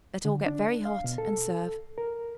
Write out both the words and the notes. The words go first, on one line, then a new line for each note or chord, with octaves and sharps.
Let all get very hot and serve.
D3
D4
F5
B2
A4
A#4